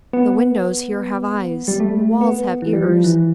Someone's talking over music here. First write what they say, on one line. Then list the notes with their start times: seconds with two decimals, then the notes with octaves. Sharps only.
The windows here have eyes, the walls have ears.
0.13 B3
1.68 G3
1.80 A3
2.21 B3
2.62 E3
2.73 G3
2.84 F3
3.04 E3